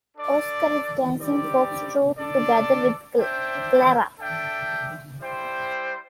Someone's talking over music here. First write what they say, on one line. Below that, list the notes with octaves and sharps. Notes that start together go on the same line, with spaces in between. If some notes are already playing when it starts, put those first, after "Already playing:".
Oscar is dancing foxtrot together with Clara.
D4 A4 D5
G3 C4 G4 D5
D4 A4 D5
D4 C5 E5 G5
D4 A4 E5 G5
G3 E4 C5 G5